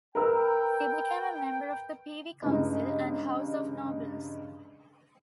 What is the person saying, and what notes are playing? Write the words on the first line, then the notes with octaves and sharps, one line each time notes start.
He became a member of the Privy Council and House of Nobles.
A#4 B4 G5 E6
G2 C#3 G#3 D#4